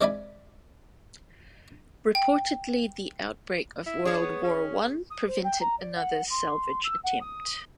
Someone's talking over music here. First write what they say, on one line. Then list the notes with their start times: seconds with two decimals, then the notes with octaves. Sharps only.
Reportedly the outbreak of World War One prevented another salvage attempt.
0.01 G#3 C4 D5 E5 G#5 B5
2.15 G5
3.86 E4
4.05 D4 G#4 C#5
4.22 B3
4.44 C#4
5.10 D#6
5.27 C5
5.43 G5
5.60 A#5
5.78 D5
5.95 F#5
6.29 C6
6.83 E6
7.03 F#5
7.20 D#6